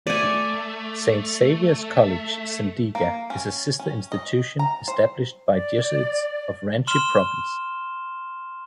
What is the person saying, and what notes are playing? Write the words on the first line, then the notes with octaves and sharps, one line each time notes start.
Saint Xavier's College, Simdega is a sister institution established by Jesuits of Ranchi province.
A3 D5 G#5
A#3
C#4
C#4
D#5
A#5
C5
D5
C6 F6 E7 G7